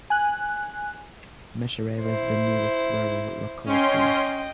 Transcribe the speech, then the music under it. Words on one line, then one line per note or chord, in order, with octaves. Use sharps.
Meshcherevo is the nearest rural locality.
G#5 F#6
E4 C5
C#4 D#5 G5 C6